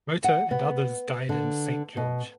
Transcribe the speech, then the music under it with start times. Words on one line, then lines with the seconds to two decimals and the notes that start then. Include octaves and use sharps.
Motta and others died in Saint George.
0.24 F#5
0.51 B3
1.29 D3
1.97 B2